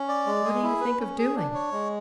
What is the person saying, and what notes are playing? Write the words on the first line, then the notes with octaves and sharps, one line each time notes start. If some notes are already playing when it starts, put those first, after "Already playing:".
'What do you think of doing?'
Already playing: C#4
D5
G#3
G#4
E4
B4
C#4
G#4
D4
C#5
G#3